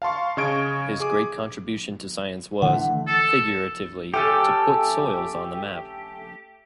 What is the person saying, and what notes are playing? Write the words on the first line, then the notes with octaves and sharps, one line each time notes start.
His great contribution to science was, figuratively, to "put soils on the map".
F5 A5 C6 C#6
C#3 D#5 C#6 G#6 D7
G#4 D6
D3 E3 A3 F#5
A4
A3 C#4 G4 A4